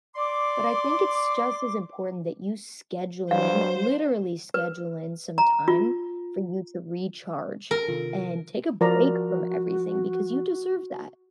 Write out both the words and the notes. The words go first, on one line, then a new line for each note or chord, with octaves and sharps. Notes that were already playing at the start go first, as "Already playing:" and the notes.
but I think it's just as important that you schedule in, literally schedule in some time for you to recharge and take a break from everything because you deserve that,
D5 C6 D6
G2 F#3 C5 F5
B4
A#5
F4
A#4
C3 D#3 F4
F3 F#4 A#4 D5 A#5